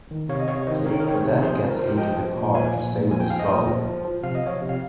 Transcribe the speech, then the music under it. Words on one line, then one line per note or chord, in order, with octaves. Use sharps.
Jake then gets into the car to stay with his brother.
D#3
C3 C#5 F5
D#5
C3 C#5 F5
C#5
D#3 C5 D#5
D#3 A#4 C#5
A#4 C#5
D#3
C#5
G#4 C5
C3
F3 G#4 C5
F3
A#4
F3 C5
G4 A#4
F3 D#5 G5
F3
A#2
F3 F5 G#5
A#2
A#2
F3 G#5
G5
F3 F5
D#5 G5
A#2
F3
F3
F3
C3 F5
D#5
F3 C#5 F5
C3
F5